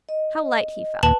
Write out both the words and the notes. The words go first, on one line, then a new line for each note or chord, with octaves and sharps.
How light he felt!
D#5
D#2 A#2 B4 A5 F#7